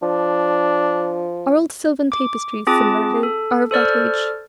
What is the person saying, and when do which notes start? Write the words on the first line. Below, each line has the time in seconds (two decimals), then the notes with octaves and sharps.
Our old silvan tapestries, similarly, are of that age.
0.02 F3 D4
2.12 D6
2.67 C4 F4 G#4 A5 D6
3.23 A4
3.71 A4 C5 D5 F6